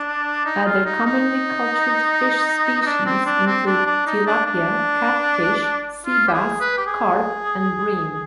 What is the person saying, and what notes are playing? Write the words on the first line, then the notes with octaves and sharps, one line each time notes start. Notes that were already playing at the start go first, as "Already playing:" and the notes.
Other commonly cultured fish species include: tilapia, catfish, sea bass, carp and bream.
Already playing: D4
D#4
F4
D#4
D#4
D#4
D4
C4
D4
C4
D4
D4
D#4
D4
D4
F4
G4
G#4
B4
G4
G#4